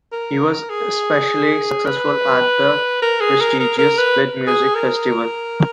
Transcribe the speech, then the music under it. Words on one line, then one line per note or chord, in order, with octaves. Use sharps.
He was especially successful at the prestigious Split Music Festival.
A#4
G#4
B4
A#4
G#4
A#4
A#4
A#4
B4
G#4
A#4